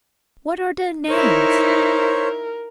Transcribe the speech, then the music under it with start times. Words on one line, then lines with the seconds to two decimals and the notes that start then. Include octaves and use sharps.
"What are their names?"
1.09 D#4 E4 A#4 C5 C#5